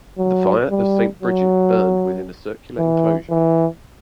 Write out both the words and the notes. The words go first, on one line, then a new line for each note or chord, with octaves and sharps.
The fire of St. Bridget burned within a circular enclosure.
F#3
G3
F#3
E3
E3